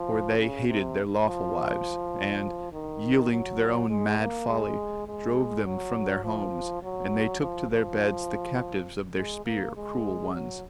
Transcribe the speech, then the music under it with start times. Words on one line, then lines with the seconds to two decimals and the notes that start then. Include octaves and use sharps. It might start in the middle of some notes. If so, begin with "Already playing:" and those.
For they hated their lawful wives, and, yielding to their own mad folly, drove them from their homes; and they took to their beds the captives of their spear, cruel ones.
Already playing: F3
0.38 C#3
0.68 C3
1.26 F3
2.72 D#3
3.31 F#3
3.89 G#3
4.19 A#3
4.48 G#3
5.07 G#3
5.66 F#3
6.24 F3
6.83 F#3
7.40 F3
7.70 F3
9.17 G#3
9.46 A#3
9.76 G#3
10.34 F#3